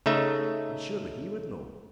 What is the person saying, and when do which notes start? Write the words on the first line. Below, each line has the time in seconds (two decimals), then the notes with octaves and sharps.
"And surely he would know!"
0.06 C#3 A3 D#4 E5